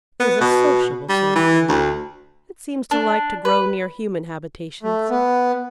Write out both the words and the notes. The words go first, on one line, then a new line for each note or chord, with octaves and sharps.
It is a sociable sort of thing; it seems to like to grow near human habitations.
B3
B2
G3
E3
D2
D4
B4
A3
B3